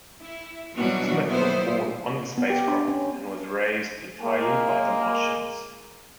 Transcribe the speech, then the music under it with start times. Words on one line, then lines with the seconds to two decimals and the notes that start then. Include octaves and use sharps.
Smith was born on the spacecraft and was raised entirely by the Martians.
0.21 E4
0.75 B2 E3 F#3 G3 D4 F#4
1.29 D#2 F#3 B3 E4 C5
2.38 B3
2.50 G4
2.68 D4
2.88 C#4
4.22 G#3 A#3